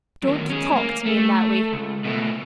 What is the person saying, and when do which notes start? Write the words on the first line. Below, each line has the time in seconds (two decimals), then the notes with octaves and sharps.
Don't talk to me in that way.
0.23 F#2 D#3
0.50 C#4 G#4
0.72 A3 A#3
1.05 A3
1.72 C#2
2.05 B2 A3